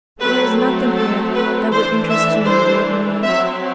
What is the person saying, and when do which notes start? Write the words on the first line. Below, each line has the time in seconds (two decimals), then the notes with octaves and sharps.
There is nothing here that would interest you in the way of news.
0.21 F#3 A3 C4 B4
0.97 A4
1.35 B4
1.72 E3 A3 D4 C5
2.10 E5
2.48 C5
3.24 F#3 C4 E5